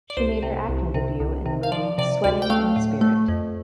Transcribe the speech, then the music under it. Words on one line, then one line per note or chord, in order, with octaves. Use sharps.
She made her acting debut in the movie "Sweating in the Spirit".
D5
C2 C5
C3
C2
C3
C2
C3
F5
F3 D5
C3 D5
D2 D5
G5
A3 F5
A2
A3
F2